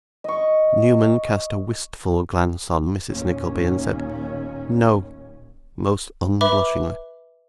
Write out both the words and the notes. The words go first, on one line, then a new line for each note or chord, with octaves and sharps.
Newman cast a wistful glance on Mrs Nickleby and said 'No,' most unblushingly.
D#5 C#6
D#2 A#2 C#4
B4 E5 B5 D6